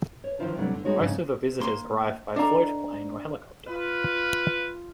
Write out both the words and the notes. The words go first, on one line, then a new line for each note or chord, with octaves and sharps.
Most of the visitors arrive by float plane or helicopter.
C#5
D#3 F3 D4 E4 F4 C5
C3 F#3 G3 A3 A#3 D4
D3
G3 G#3 D#4 F#4 G#4 C#5
F2 G#2 C#3 D4 D#4
A#3 C6
D4 A4 D#5 F5 A#5
F4 B4